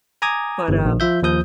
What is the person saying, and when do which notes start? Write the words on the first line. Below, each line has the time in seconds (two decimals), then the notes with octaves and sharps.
But, um,
0.22 G#5 A#5 D6 D#6 G#6
0.68 G1 E3
0.85 A#1
1.00 F3 F4 E5 G6
1.22 D#2 F3 D#6 G6